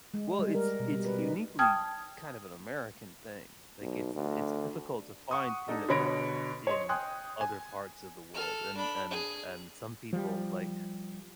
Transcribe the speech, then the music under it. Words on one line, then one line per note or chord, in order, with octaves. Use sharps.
Well, it’s it’s uniquely kind of an American thing. Like, it’s it’s difficult to find peanut butter in other parts of the world, and and and some people, like,
G#3
G3
A#4
B2
G3
B4
D#4
G5 A5 D#6 F6 G#6
B1
D2
F#5 C#6 D#6
D4 D#4 A4 D#5
B2 D3 C#5 B5 A#6 D7
C#5 D#5 C6
G5 G#5 C6 D#6 F#6
G#5
A4 F6
D4 B5
G#4
F3 G3